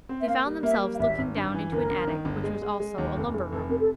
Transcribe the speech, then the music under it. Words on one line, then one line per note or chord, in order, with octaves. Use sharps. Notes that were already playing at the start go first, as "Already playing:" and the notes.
They found themselves looking down into an attic, which was also a lumber-room.
C4
E5
A#3 F5
G3
A#3 E5
G3
F5
G#1 E5
G#1
G2
E3
G1 A#4
G1
D#3
G1
G#3
G#3
G#3
D#2
F1 A4
F1 G#4
F1 A4
C3 A#4
A4